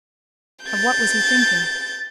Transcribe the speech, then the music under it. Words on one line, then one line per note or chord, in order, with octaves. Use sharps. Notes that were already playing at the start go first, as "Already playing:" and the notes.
Of what was he thinking?
G6 A6